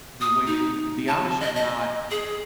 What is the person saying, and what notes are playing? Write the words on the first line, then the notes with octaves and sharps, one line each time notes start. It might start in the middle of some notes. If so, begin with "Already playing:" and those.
the way they the Amish are not
D#6
D#4
A5
D#5
D#5
G#4